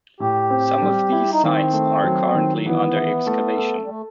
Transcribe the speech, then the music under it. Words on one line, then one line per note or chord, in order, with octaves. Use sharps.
Some of these sites are currently under excavation.
A2 G4
C4
G3
E4
D#4
D#3 C4
A3
F#3
D#3
E3 B3
E4
A3
A4
G3
A3